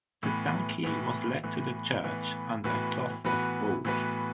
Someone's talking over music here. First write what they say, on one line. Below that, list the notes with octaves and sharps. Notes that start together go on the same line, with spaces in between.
The donkey was led to the church under a cloth of gold.
A2 E3 B3
A2 E3 B3
A2 E3 B3
A2 E3 B3
A2 E3 B3 F#4 B4
A2 E3 B3 F#4 B4
A2 E3 B3 F#4 B4